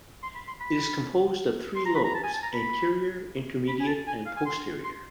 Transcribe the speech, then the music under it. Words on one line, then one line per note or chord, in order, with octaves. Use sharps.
It is composed of three lobes: anterior, intermediate, and posterior.
C6
B5
C6
B5
C6
A#5
B5
A#5
A5
G#5
A5
A#5
B5
B5
G#5
A5
G#5
F5
G#5
C6
C6